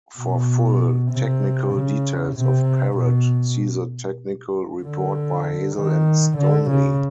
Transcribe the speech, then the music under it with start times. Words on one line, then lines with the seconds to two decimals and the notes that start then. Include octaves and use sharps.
For full technical details of Parrot, see the technical report by Hazel and Stoneley.
0.18 B2
1.11 C3
1.73 C#3
2.36 C3
2.97 B2
4.83 D3
5.76 D#3
6.37 D3
6.70 C#3